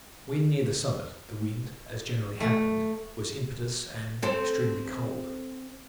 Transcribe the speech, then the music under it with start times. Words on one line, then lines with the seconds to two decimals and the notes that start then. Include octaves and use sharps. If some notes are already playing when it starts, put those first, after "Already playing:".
When near the summit, the wind, as generally happens, was impetuous and extremely cold.
2.40 A3
4.22 C4 A4 C5